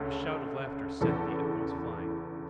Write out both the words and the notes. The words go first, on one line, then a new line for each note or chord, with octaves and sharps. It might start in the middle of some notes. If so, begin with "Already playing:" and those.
His shout of laughter sent the echoes flying.
Already playing: D2 C#3 C#4 A4
E2 C#3 E3 A4